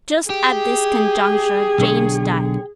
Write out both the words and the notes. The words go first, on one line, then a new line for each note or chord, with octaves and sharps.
Just at this conjuncture James died.
G4 G#4
B1 D3 C#5